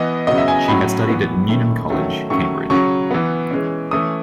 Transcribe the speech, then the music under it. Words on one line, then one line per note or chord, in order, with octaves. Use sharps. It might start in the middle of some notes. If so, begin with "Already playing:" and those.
She had studied at Newnham College, Cambridge.
Already playing: E3 B3 D#5
C#3 F#3 B3 D#5
E5
G#5
A2 F#3 C#4 B5
E3 B3
D#3 A3 C#4
D#3 F#3 A3 C#4
D#3 F#3 A3 C#4 C#6
C#3 F#3 C#4 C#6
E3 B3
E3 G#3 C#4
E3 A3 C#4 D#6